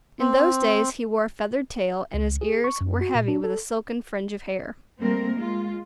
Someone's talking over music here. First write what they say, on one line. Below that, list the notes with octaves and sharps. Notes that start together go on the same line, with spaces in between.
In those days he wore a feathered tail, and his ears were heavy with a silken fringe of hair.
C4
C#2
G#4
C#6
F#2
F#4
A#2
D4
A4
G3 A3 A#3 C4 A#4
G#3 F4